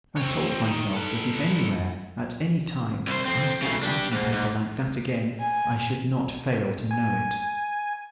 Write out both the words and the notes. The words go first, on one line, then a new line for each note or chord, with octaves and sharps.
I told myself that if anywhere, at any time, I saw writing paper like that again, I should not fail to know it.
C4 C#5
D#3
A4 B4
C2 C5
F2 C4
C#3 A3
D4 G4
G#2
G#2
G#5
G#5